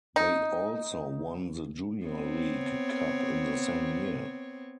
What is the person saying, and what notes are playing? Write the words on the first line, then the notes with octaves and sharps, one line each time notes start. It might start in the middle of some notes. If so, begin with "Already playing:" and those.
They also won the Junior League Cup in the same year.
D#4
B3 C4 C#5